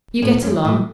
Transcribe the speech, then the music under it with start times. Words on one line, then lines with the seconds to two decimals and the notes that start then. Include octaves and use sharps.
You get along.
0.22 A2
0.42 F#2
0.65 A2